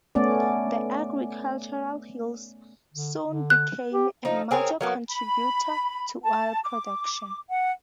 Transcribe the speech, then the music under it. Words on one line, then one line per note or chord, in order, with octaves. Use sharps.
The agricultural hills soon became a major contributor to oil production.
A3 B3 C#4 D5
D3
D3
F#6
G4
F3 D#4
C4 G#4 A#4 C#5
F#3 A#3 B3
B5
A5
D6
F#5